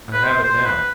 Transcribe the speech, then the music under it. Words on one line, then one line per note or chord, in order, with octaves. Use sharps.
I have it now.
B4
C5
C5
B4